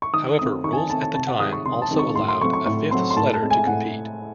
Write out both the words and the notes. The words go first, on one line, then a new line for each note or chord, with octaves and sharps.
However, rules at the time also allowed a fifth sledder to compete.
C#6
D#3 D#6
A3 C4 D#6
D#3 C#6
G#5
A5
A3 C4 A5
A5
C3 A5
F#5
D#3 G#3 C4 D#6
C#6
C3 C6
A5
D#3 G#3 C4
C#6
A2 C6
C6
F#3 A3 C4 C#6
C#6
A2 C#6
F#3 A3 C4 C6
C6
A2 A5
A5
G#3 C4
G#5
A2 F#5